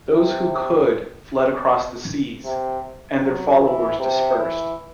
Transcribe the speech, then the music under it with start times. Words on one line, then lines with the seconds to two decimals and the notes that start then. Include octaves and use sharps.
Those who could fled across the seas, and their followers dispersed.
0.12 C3
2.44 C3
3.23 F#3
3.61 E3
3.99 C3
4.38 E3